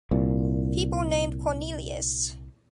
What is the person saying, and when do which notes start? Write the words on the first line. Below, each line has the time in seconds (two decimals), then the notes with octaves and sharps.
People named Cornelius.
0.11 C2 A#2